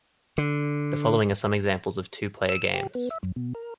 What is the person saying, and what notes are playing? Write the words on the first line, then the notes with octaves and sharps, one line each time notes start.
The following are some examples of two-player games.
D3
E6
G4
B3
E5
F#2
B2
A#4